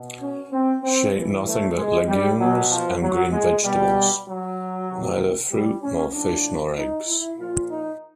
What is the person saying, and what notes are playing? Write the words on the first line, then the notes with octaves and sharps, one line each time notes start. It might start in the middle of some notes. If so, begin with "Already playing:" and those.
She ate nothing but legumes and green vegetables: neither fruit nor fish nor eggs.
Already playing: B2
C#4
C4
C4
A2 E3
A3
G#3
G3
B2 F#3
F3
F#3
G#3
B2 G3
F#3
C3 D#3
G3
C#4
A2 F3 D4
D#4
E4
A#2 F3 F4
D#4